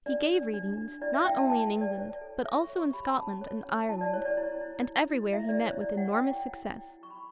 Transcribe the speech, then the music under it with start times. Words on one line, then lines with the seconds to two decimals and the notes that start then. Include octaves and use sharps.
He gave readings, not only in England, but also in Scotland and Ireland, and everywhere he met with enormous success.
0.06 D4 D5
0.29 D4
0.54 D4
0.77 D4
1.01 E4 D5
1.14 E5
1.25 E4 G5
1.38 A5
1.49 E4 A5
1.74 B4
1.81 D5
1.97 C#5
2.21 A4
2.45 C#5 E5
2.62 C#6
2.69 C#5
2.78 C#6
2.93 G4 B5
3.09 A5
3.17 C#4
3.41 C#5
3.65 C#4
3.89 E4 A5
4.01 D5
4.13 E4 C#5
4.26 D5
4.37 E4
4.61 E4
4.85 E4
5.09 E4
5.33 E4 E5
5.49 D5
5.57 E4
5.65 C#5
5.80 E4 D5
5.97 F#5
6.05 G4
6.13 G5
6.29 E4
6.53 E4
6.77 E4
7.01 E4 C#6
7.10 B5